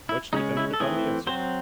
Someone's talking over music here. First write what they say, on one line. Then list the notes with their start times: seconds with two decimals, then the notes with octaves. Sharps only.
Much depended upon the answer.
0.09 E4
0.33 C#3 G#3 C#4 D#4
0.57 E4
0.73 A4
0.80 E3 A3 C4 G#4
1.27 F#3 C4 C5